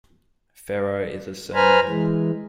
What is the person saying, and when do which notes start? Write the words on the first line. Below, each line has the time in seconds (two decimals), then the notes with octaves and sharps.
Farrow is a surname.
1.55 B4 C5 G#5 A#5 B5 F6
1.87 E3 G#3